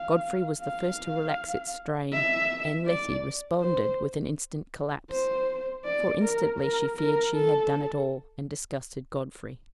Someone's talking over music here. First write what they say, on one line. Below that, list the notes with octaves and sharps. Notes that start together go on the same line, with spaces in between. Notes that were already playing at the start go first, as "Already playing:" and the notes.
Godfrey was the first to relax its strain, and Letty responded with an instant collapse; for instantly she feared she had done it all, and disgusted Godfrey.
Already playing: F5
F5
E5
D5
C5
C5
D5
A#4
A#4
A#4
A4